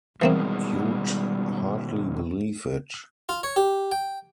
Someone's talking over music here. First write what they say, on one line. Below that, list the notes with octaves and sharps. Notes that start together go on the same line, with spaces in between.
You'd hardly believe it.
B2 D#3 E3 G3 G#3 A#3 C4
F4
C#5
G4
G5